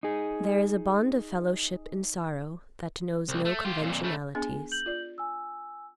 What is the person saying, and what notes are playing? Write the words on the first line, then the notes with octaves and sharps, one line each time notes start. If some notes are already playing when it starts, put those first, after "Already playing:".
There is a bond of fellowship in sorrow that knows no conventionalities.
D#4 G#4
C2
A3
F4 G4
F2 A#2
C#3 A3
B3 D4 G#4 G#5
G6 F#7
F4 D5
G#5 E6